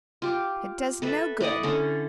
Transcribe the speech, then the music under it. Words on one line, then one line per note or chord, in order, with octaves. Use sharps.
It does no good.
F4 G4
A4 B4 E5
E4 D5 D#5 F#5
D3 C#4 A4